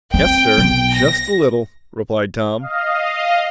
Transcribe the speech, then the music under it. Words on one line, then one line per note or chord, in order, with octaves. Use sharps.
"Yes, sir--just a little," replied Tom.
C4 G5
B1
A#6
D#5 F5